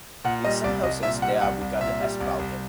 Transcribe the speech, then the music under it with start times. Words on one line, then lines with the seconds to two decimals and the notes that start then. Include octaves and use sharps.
In some houses they are regarded as vulgar.
0.24 A#2 F#5
0.44 G3 D#5
0.64 C2 D5
0.83 C2 D#5
1.03 A#2 E5
1.22 G3 F#5
1.41 C2 F#5
1.61 C2
1.80 A#2 E5
2.00 G3
2.20 C2
2.39 C2